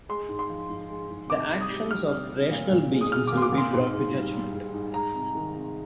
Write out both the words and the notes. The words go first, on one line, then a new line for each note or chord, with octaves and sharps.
The actions of rational beings will be brought to judgment.
G#3 C6
G#2
C6
F3
G#2
G#3
G#2
C3 D6
C3
D#6
G3
G3 F6
C3
C3
A#2
A#2
G#3
D#6
G#3 F6
A#2 D6
C6
D6
A#2
C6
G#2 C6
G#2
G3
G3
G#2
G#2
G#3 A#5
C3
D#3
C3